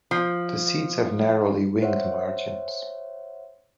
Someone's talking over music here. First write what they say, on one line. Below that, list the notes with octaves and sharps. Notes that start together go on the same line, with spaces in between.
The seeds have narrowly winged margins.
F3
C5 C#5 E5 F#5